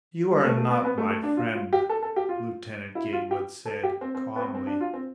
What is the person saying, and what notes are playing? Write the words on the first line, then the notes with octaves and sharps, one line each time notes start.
"You are not my friend," Lieutenant Gatewood said calmly.
G3
A3
A3
B3
C4
B3
A3
A3
D4
F4
F4
G4
A4
A4
G4
F4
E4
F4
G4
A4
G4
C4
C4
B3
C4
C4
D4
F4
C4